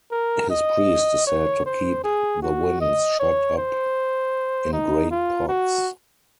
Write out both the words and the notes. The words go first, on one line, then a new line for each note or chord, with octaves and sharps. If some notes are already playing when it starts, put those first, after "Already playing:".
His priest is said to keep the winds shut up in great pots.
A#4
D#5
C#5
C5
G#4
F#4
D#5
C#5
C5
D#4
F4
F#4